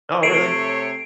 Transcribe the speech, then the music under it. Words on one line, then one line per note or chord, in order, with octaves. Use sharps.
Oh, really?
C3 A3 C#5 C7 D7